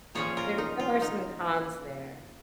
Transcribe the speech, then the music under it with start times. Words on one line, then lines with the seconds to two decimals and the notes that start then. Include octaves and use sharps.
there there are some cons there.
0.15 A#2 F3 C#4 G#4 C#5
0.37 F4 A#4
0.58 D#4
0.80 F4
1.02 D#4